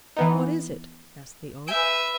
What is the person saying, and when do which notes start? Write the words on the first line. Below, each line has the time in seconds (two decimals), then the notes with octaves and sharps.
"What is it?" asked the Oak.
0.17 E3 B3 D#4
1.68 B4 E5 G#5 G6 D7